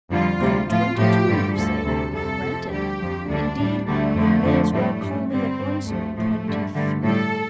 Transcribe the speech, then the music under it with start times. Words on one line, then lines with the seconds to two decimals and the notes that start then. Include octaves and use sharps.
I am twenty-two, you say, granted: indeed, you may as well call me, at once, twenty-three.
0.11 F2 D3 G3 F4
0.40 D2 C3 G3
0.69 A2 F3 F4
0.98 A2 F3 G4
1.27 G2 D3 G3
1.55 D2 D3 F3 A4
1.84 D2 C3 G3
2.13 F2 C3 G3 A4
2.42 F2 C3 F3
2.70 D2 D3 G3 G4
2.99 F2 F3
3.28 D2 D3 G3 D4
3.57 A2 G3
3.85 D2 D3 G3 A3
4.15 F2 D3 F3
4.43 F2 D3 F3
4.72 A2 G3 A3
5.01 G2 G3
5.30 G2 D3 G3 C4
5.59 G2 G3
5.87 D2 C3 F3 A3
6.16 A2 F3 A3
6.44 G2 D3 G3
6.74 G2 D3 G3 A3
7.02 A2 G3 A4